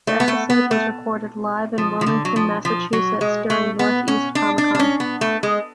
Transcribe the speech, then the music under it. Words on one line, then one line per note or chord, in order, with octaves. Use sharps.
The episode was recorded live in Wilmington, Massachusetts during North East ComicCon.
A3
B3
A3
B3
A3
F3
F3
D3
F#3
F3
F3
F#3
G#3
A3
B3
C#4
D4
D4
D4
C#4
B3
A3
G#3